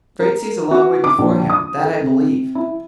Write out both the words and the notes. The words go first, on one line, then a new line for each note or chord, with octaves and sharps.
The Frate sees a long way before him; that I believe.
A#4
F#4
D6
A#1
D#6
A4
C3
E4